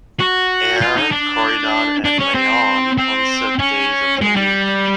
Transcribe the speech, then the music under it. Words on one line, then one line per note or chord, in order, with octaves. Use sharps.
Ayr, Corydon, and Leon on set days of the week.
F#4
F4
D#4
D4
D4
C#4
C4
C4
C#4
G#3
G3